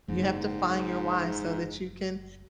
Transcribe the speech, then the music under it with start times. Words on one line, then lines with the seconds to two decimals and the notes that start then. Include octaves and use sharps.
You have to find your "why" so that you can
0.08 F#1 G#2